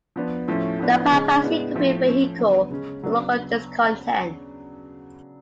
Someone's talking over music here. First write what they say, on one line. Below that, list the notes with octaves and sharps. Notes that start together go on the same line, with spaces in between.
The Papacy could be a vehicle for local discontent.
F3 B3 D4
A2 F3 A3 C#4
A2 F3 B3 D4
C#3 G#3 C#4
A2 G#3 B3 D4
A2 F3 A3
F3 A3 C#4
D3 F#3 B3
C#3 G#3 C#4
C#3 F#3 B3 D4